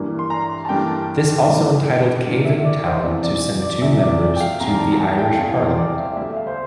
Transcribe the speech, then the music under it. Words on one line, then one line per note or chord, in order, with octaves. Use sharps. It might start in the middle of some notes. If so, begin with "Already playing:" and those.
This also entitled Cavan town to send two members to the Irish parliament.
Already playing: G2 E3 G3 A#3 D4
C6
A#5
A5
G2 E3 G3 A#3 D4 G5
G2 E3 G3 A#3 D4
G2 E3 G3 A#3 D4
E5
D5
C5
E2 C3 E3 D5
D5
D5
E2 C3 E3 E5
D5
D5
G5
F5
E2 C3 E3 A#5
A#5
A5
A#5
A5
G5
G5
E2 C3 E3 F5
C5
D5
D5
E5
D2 D3 G3 E5
F5
C5